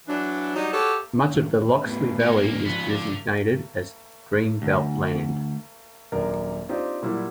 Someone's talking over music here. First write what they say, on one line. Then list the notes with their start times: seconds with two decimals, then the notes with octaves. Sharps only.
Much of the Loxley Valley is designated as Green Belt land.
0.08 E3 F#3 D4
0.55 F#3 G3 D#4
0.73 F#4 G4 A4 C#5
1.85 A2 B3
2.21 C#4 D#4
2.38 B1 A#3
2.66 C#3 F3 B3
2.90 D3
4.62 D2
6.12 D#1 F#2 D4 A#4
6.69 C4 D4 D#4 F4 G4 C5
7.02 A#2 F#3 G3 E4